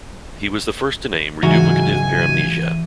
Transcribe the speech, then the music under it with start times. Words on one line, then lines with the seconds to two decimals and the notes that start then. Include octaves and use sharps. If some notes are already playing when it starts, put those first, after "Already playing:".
He was the first to name reduplicative paramnesia.
1.43 C#2 G#2 E3 F#3 F#4 G#5 A#5